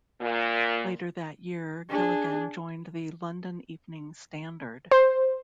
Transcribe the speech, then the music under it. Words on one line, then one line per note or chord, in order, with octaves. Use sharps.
Later that year Gilligan joined the "London Evening Standard".
A#2
D4 G#4
C5